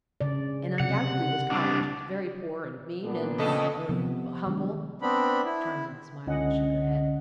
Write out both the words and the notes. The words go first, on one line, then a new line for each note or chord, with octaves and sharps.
"And, undoubtedly, this cottage is very poor and mean, and--er--humble?" Charmian smiled and shook her head.
C#3 D5
C3 F#5
C2 D4
A#2 B3 D4
F2 C#3 A4 D#5
C3 F3 B3
D#3 G#3 D4
B3 C4 D4 B5
E4
C#2 D3 C#4 D#5 F#5